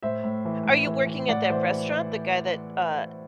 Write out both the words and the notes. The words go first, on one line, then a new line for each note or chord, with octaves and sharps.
Are you working at that restaurant, the guy that, uh,
A2 C5 E5
A2
E3
A2
E3
E3
A2 D5 F#5
E3 C5 E5